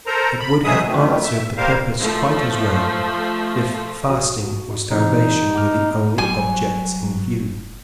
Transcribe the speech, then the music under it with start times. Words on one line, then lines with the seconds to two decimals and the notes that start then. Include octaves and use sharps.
It would have answered the purpose quite as well, if fasting or starvation were the only objects in view.
0.07 A4 A#4 C5 A#5
0.39 B5
0.64 E3 F#3 G#3 G#4 E5 D#6
0.86 F2 B2 D#3 A3
1.23 E5
1.57 G3 A#3 A#4 C5 F5
1.98 F3 A3
4.09 A#1 F#4 D#6
4.43 F#4
4.90 C3 E3 G3 D#4
5.54 F#5 D6 F6
6.18 F1 F#3 G3 G#5